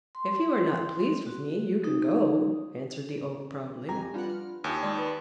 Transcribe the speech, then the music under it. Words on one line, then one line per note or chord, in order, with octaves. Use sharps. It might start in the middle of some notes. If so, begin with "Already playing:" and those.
"If you are not pleased with me, you can go," answered the Oak proudly.
C6
F#4
D#4
G#1 F2 G4 G#5 A#5
G3 D4 F4 B4 F#5
F6
D#2 F4 G4 C#5 G#5 D#6 E6
D#3 G#3 D#4 D5 C6
F4 B4 D5 C6